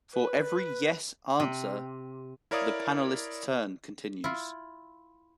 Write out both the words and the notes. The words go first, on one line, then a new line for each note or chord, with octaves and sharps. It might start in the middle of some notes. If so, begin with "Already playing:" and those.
For every "yes" answer, the panelist's turn continues.
B4
C3
E4 A#4 C#5 D5 F5 D#6
E4 F4